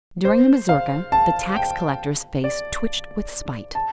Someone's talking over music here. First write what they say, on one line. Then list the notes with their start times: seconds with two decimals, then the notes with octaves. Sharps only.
During the mazurka the tax-collector's face twitched with spite.
0.25 C5
0.69 F5
1.12 A5
1.56 G5
2.44 D5
3.75 A5